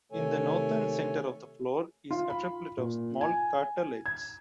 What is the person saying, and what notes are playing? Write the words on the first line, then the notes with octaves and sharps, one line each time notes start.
In the northern center of the floor is a triplet of small craterlets.
C3 D#3 A3 A4 C#5 G#5
F4
B5
A#2
G#5
G#6